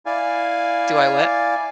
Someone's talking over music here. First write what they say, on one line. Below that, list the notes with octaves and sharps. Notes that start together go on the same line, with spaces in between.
Do I what?
E4 D5 F5 G#5